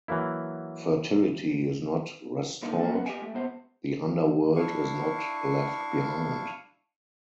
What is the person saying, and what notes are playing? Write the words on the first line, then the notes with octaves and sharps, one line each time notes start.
Fertility is not restored, the underworld is not left behind.
E3 F#3 A#3 E4
A#2 D3 D#4
A3 A#3
C#2 B3
G4 D#5 G#5
A3
B2 B3 C5
D4 E4 F5 C#6